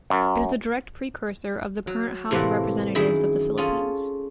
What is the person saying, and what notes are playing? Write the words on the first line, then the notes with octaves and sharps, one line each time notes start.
It is a direct precursor of the current House of Representatives of the Philippines.
F#2
F#3
A2 C3 E3 A3 A#3 F#5
F#2 D#3 E4 G#4 E5
C#4 F4 G#4 A4